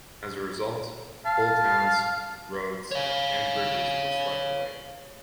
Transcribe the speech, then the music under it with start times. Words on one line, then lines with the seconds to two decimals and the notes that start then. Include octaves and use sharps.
As a result, whole towns, roads, and bridges were swept away.
1.26 F5 A5
2.91 C#5 F5